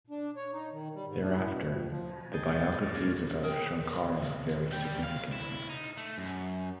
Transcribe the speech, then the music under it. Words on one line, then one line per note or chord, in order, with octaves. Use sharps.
Thereafter, the biographies about Shankara vary significantly.
D4
C#5
D#4
D#3
G3
G#2
D4
E4
B2
F2
F3
G#4 D#5 G5 A5
G#3 A#3 C#4 D4 F4 A4
G#4 A#4 G5
G3 G5
F5
E4
D#4
A3
F#2